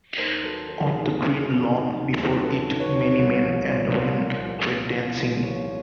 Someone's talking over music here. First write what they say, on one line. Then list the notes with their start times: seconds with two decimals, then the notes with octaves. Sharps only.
On the green lawn before it, many men and women were dancing.
0.17 D#2 A#4 C5
0.43 F#3 A4 B4
0.68 D#3 A#4
0.76 A4
0.84 G#4 A#4
0.93 D#2
1.18 D#2
1.43 F#3
1.68 D#3
1.93 D#2
2.18 D#2
2.43 F#3 A4 B4
2.68 D#3
2.80 B4 C#5
2.93 D#2
3.17 C2 B4 C#5
3.43 F3
3.68 A#2 C5 D5
3.92 C2 A#4 C5
4.18 C2
4.43 F3
4.68 A#2
4.93 C2
5.18 C2
5.42 F3 B4 C#5